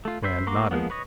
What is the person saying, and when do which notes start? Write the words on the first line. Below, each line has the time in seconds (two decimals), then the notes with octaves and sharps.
Rand nodded.
0.05 A3 F4
0.23 B4 C5 E5
0.47 A#3 F#4 A#5 C6 D6
0.71 F3 G#3 A#3 B3
0.90 B4 C#5 D#5